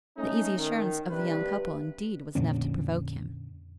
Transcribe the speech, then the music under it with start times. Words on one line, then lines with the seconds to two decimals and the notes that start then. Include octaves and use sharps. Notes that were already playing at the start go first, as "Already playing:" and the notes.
The easy assurance of the young couple, indeed, was enough to provoke him.
0.18 A3 C#4 D#4
0.58 D#3
1.10 G2 C3 B4
2.35 F2 A#2 D3 C#4